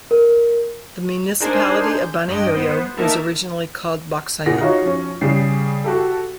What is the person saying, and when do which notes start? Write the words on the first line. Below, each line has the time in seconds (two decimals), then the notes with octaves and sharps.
The municipality of Banayoyo was originally called "Bacsayan".
0.11 A#4
1.40 D4 D#4 G#4 A#4 C5 G#5
1.88 G6
2.28 G2 D#5 G5
2.54 B3 C5
2.97 A#3 D#4 A#4 E5 A5
4.46 A#2 G#4 F#5 A#6
4.61 D#4 F4 F#4 C#5
4.82 F3 C#4
5.21 C#3 G3 G#4 C7
5.84 F#4 G4 A4